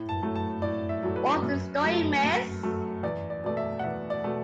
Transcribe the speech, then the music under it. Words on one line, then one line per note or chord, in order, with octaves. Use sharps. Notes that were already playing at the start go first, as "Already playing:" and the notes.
What's the story, miss?
Already playing: A2
A5
F#3 A3
A5
A2 D5
E5
F#3 A3
B4
F#2
F#3 A3
F#2
F#3 A3
E2 D5
D5
B2 A3 D5
E5
F#5
E2 E5
D5
B2 A3